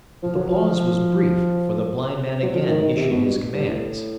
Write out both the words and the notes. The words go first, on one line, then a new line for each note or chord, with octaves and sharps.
But the pause was brief, for the blind man again issued his commands.
F3
F#3
F3
F#3
F3
D#3
D#3
C3
B2
G2
G2
A2